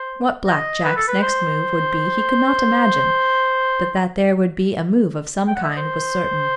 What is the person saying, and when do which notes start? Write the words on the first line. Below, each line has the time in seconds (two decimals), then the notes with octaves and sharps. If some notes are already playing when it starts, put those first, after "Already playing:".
What Black Jack's next move would be he could not imagine, but that there would be a move of some kind was certain.
Already playing: C5
0.47 D#5
0.84 B4
0.96 A4
1.08 B4
1.22 C5
5.47 G5
5.55 F#5
5.63 E5
5.70 D#5
5.77 C5